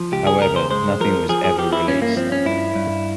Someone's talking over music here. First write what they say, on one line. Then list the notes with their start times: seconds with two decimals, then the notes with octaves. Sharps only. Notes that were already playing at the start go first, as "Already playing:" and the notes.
However, nothing was ever released.
Already playing: F3
0.12 C#2 G4
0.27 G#4
0.41 C#2 A#4
0.56 C5
0.71 G#3 C5
1.00 F3 A#4
1.29 F3 G#4
1.44 G#4
1.58 F3 G4
1.73 E4
1.87 G2 C#4
2.02 A#3
2.16 F3 C4
2.32 C#4
2.46 G2 E4
2.75 G2